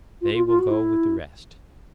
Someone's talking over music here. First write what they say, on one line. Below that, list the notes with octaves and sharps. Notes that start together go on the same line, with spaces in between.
They will go with the rest.
F4
F4
F4
F#4
E4